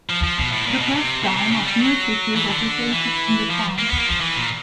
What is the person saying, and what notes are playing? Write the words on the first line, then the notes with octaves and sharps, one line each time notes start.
The ghost town of New City was located in the town.
F3
F3
B2
A2
A#2
B2
C3
B2
C3
C#3
G3
F#3
E3
D3
E3
F3
A#3
B3
A#3
F3
E3
A#2